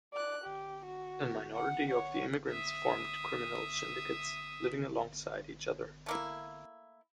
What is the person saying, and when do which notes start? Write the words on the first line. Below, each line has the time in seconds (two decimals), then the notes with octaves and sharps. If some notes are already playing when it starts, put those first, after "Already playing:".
A minority of the immigrants formed criminal syndicates, living alongside each other.
0.14 D5 F#6
0.45 G4
0.86 F#4
1.54 F#5
1.89 C#5 F#5
2.50 E5 D#6
6.06 A3 A#3 E4